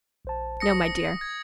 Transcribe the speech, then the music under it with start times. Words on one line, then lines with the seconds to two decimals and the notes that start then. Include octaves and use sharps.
"No, my dear."
0.25 A#1 C5 A5
0.60 D#6 A#6 C#7
1.21 G#6